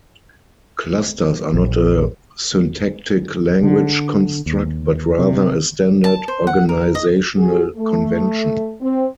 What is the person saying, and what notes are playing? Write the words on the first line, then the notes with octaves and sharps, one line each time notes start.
Clusters are not a syntactic language construct, but rather a standard organizational convention.
A#1
D3
D#2
C3
A5
C5
F#5
A#4
D#5
F#4 G#4
A3
C4